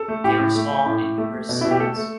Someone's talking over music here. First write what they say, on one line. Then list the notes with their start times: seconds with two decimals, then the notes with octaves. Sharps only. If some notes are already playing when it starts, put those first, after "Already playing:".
Very small and numerous seeds.
Already playing: A4
0.08 A3
0.24 A2 G4
0.39 A2
0.55 A3
0.71 A3
0.86 A2
1.02 A2
1.18 A3
1.33 A3
1.49 B2
1.61 B2 E4
1.71 G4
1.80 A3 A4
1.96 A3